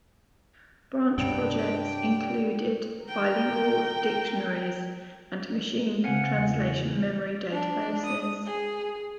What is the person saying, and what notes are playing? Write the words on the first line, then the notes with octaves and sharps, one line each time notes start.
Branch projects included bilingual dictionaries and machine translation memory databases.
G2 C3 F#3 G3 B3 D4 G5
A#4 G5
C#3 G#3 C4 F5 F#5 G#5
E2
D4
D#6
G#4